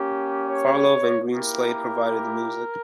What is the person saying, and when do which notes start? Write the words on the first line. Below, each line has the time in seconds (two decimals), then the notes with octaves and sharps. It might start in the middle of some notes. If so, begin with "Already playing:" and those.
Farlowe and Greenslade provided the music.
Already playing: A#3 C#4 G4
0.46 C#5
1.32 A#3 E4 G4 A#4